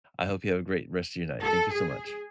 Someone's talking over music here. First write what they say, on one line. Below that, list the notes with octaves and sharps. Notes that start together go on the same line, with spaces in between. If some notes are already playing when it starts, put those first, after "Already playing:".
I hope you have a great rest of your night, thank you so much.
A4
G#4